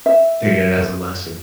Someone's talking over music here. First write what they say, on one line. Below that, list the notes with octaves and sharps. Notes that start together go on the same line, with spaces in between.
taking it as a lesson.
E5